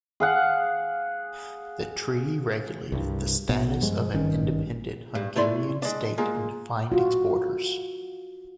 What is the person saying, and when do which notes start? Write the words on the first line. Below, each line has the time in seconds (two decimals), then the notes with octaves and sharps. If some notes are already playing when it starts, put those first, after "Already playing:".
The treaty regulated the status of an independent Hungarian state and defined its borders.
0.20 G#4 F5 F#5
2.92 C2 G2
3.49 A#1 B2 B3
3.81 G2 F3 G#3
4.13 G#1 G2 D#3 C#4
5.15 G2
5.36 A3 E4 D5 C6
5.82 G#3 D4
6.18 G#3 A#3 F4
6.92 F4 F#4